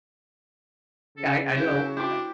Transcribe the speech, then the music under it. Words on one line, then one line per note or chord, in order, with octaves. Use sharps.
I I know, I
C#3 A4
F#3 E4 G4
D4 E4 G4 D6